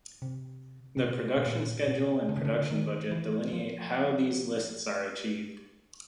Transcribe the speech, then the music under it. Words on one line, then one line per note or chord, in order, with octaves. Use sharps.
The production schedule and production budget delineate how these lists are achieved.
C3
C3
B2
B2
A#2
B2
D3
C#3
D3
D#3
E3
F3